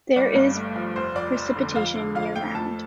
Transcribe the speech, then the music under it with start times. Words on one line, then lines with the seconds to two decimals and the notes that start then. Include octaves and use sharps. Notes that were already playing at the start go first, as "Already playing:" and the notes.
There is precipitation year-round.
0.16 G1 D5
0.36 G2
0.55 A3
0.76 F3
0.96 F1 C5
1.15 F2 D5
1.36 F1
1.56 D3
1.76 F2 F5
1.95 D3
2.15 F2 F5
2.35 A3 G5
2.55 F2 A5